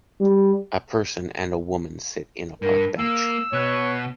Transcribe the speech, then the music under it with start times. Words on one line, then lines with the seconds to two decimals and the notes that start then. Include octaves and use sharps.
A person and a woman sit in a park bench.
0.21 G3
2.62 G2 A#4
2.99 A#3 E6
3.53 B2 B4 C#5